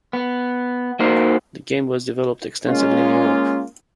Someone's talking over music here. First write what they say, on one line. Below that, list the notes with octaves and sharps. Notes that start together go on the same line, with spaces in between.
The game was developed extensively in Europe.
B3
A#3 D#4 F#4 A#4 C5
G#3 A#3 C#4 F4